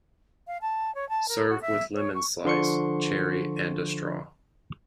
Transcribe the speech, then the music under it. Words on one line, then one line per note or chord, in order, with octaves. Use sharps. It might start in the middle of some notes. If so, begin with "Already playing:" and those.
Serve with lemon slice, cherry and a straw.
F5
A5
C#5
A5
A#4
F#4
E5
C#5
C#6
D3 F3 C6 C#6 C#7